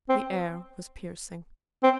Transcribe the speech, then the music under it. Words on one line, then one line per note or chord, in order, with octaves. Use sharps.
The air was piercing.
C4
C4